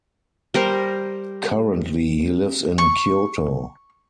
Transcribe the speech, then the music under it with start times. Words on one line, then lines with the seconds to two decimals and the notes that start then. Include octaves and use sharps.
Currently he lives in Kyoto.
0.54 G3 A#4 C5
2.78 C#6